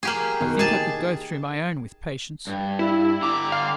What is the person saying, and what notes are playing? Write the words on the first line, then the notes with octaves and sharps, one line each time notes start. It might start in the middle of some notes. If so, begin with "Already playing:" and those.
I think I could go through my own with patience.
A#3 F4 G4 G#4
B2 D#3
D#4 G4 G#4 A5
G2
E4
D3 A#5 D6
F5